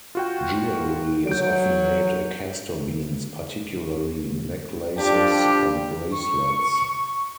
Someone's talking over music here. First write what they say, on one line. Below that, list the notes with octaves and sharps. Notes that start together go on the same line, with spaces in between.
Jewelry is often made of castor beans, particularly necklaces and bracelets.
F4 F#4 G5
F#3 G6 D7
F3 G3 D4 G4
C#6
C#6